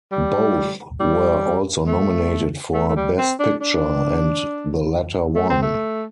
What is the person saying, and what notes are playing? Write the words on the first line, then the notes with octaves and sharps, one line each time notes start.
Both were also nominated for Best Picture, and the latter won.
G3
G3
A3
A3
A3
G3
C4
D4
D4
A3
C4
A3